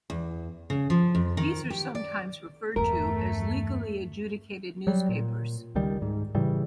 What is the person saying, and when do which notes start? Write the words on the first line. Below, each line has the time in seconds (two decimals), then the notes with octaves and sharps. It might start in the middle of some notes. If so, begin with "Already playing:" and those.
These are sometimes referred to as "legally adjudicated newspapers".
0.10 E2
0.70 C#3
0.90 F3
1.15 F2
1.37 D#3
1.70 G4
1.95 D5
2.76 E2 G2 A3 A#4
4.87 F#3 G3
5.09 A#2
5.75 C#2 D#3 G3
6.02 G#2
6.35 A2 C#3 E3 G3